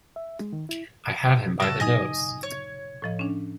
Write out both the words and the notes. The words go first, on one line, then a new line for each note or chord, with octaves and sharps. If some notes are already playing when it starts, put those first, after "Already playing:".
I have him by the nose!
E5
G#3
D#3
E4
G2 A#2 C#3 F#4 A4
F#3 D#4 D#5 G#5 D#6
C#5
A2 F3 D#5
C#4 D4